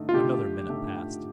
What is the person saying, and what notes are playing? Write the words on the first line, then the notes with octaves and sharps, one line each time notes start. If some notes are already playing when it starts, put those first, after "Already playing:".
Another minute passed.
Already playing: D3 A3 D#4
F4
D3 A3 D#4 G4
D3 A3 D#4